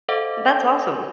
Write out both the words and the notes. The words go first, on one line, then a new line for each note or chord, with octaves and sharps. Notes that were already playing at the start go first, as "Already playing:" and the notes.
That's awesome.
A4 C5 D#5 F5 F#5 D6